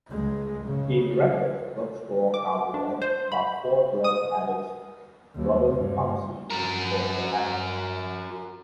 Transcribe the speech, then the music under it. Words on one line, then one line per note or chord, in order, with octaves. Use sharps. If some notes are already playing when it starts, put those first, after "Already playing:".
He directed "Drugstore Cowboy" about four drug addicts robbing pharmacies to support their habit.
C#2 G#3
C#3
D6
D4
C5
B5
D#6
D#2
G2
F#4 A#4